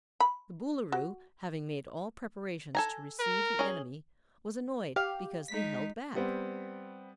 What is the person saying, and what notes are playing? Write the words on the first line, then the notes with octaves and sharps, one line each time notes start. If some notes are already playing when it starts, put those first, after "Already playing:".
The Boolooroo, having made all preparations to receive the enemy, was annoyed because they held back.
B5
F#4
A4 G#5 A#5
A#4
C#4 G#4
G4 F5
G#3 D#4 B6
G3 B3 C4